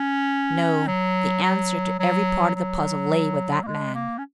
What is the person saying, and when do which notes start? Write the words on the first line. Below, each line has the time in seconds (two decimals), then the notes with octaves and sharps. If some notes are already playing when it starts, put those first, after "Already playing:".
No, the answer to every part of the puzzle lay with that man.
Already playing: C#4
0.87 F#3
1.43 F#3
1.99 F#3
2.56 F#3
3.63 A#3
3.67 G#3
3.95 A#3
4.18 C#4